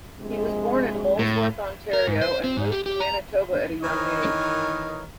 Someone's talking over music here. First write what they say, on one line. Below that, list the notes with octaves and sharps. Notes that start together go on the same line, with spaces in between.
He was born in Molesworth, Ontario, and moved to Manitoba at a young age.
A#1 C3 G#3
A2
A#4
G#2
C5
C4
G#2
G4
G4
A#5
D#3 E3 A#4 C#5 D#5